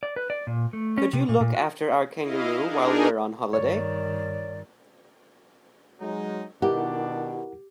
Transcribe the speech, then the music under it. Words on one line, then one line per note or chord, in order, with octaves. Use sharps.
Could you look after our kangaroo while we're on holiday?
D5
B4
D5
A#2
A3
C#4
C3
A#2
A#2
F#4
E4 D#5 F5
D4 D#4 G#4 A#4
G2 D#3 C#5 D5
F#3 G#3 D#4
B2 D#3 D4 E4 G4 A#4 F#5